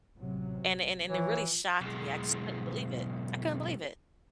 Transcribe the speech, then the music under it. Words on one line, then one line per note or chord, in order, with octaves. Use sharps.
And it and and it really shocked me, I just couldn't believe it, I couldn't believe it.
A1 C3 F#3
E3 F3 C#5
B1 G#3